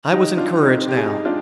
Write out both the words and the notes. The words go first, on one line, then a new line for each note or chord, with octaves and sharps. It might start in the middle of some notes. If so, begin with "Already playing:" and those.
I was encouraged now.
D#4 G4
D4 F4
C4 D#4
G4
G#4
D#4 G4
D4 F4